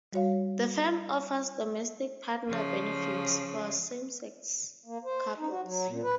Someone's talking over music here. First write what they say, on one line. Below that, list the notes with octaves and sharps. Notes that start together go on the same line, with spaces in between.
The firm offers domestic partner benefits for same-sex couples.
G3 F#4 C#5 F5
C#3 F3
A#3
C5
D#4
F#4
F#3
A#2
B4